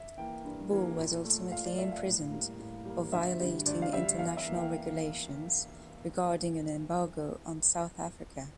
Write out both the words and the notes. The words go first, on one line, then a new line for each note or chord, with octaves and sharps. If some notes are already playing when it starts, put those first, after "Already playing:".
Bull was ultimately imprisoned for violating international regulations regarding an embargo on South Africa.
Already playing: E5
E3 A#3 G5
G2
E3 A#3
A#2
A3
A#2 F5
D5
A3 E5
F5
A2
G3 A#3
A2
G3 A#3
D2 E5
D3 G3
D2 D5
F5
D3 G3 E5
E2 F5
E5
E3 A#3
G5